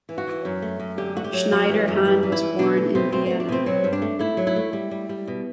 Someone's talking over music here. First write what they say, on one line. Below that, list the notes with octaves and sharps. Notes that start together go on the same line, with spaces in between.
Schneiderhan was born in Vienna.
E3
F#4
E3
F#2
A3
F#2
D3 G4
A3 F#4
G4
F#3
F#2 F#4
E3
F#2
E3
E3
E4
E3
B2 D4
A3
B2 C4
A3 C4
A3 C4
D4
B2 C4
F#3 C4
G2
D4
A3
A3 E4
F#3
E4
A3
G3
G3
G3
B2